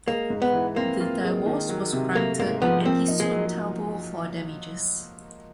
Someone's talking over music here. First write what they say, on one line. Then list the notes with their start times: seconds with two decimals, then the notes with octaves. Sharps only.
The divorce was granted, and he sued Talbot for damages.
0.07 G#3 A#3
0.30 G#2
0.42 B3
0.53 E3
0.76 A#3 C4
1.00 F4
1.23 G#3
1.46 D#3
1.69 F#3
1.92 C3
2.15 A3 A#3
2.39 G#2 A#3
2.62 F3 B3
2.85 A#3 C4
3.08 D#4
3.20 G#3
3.32 F#3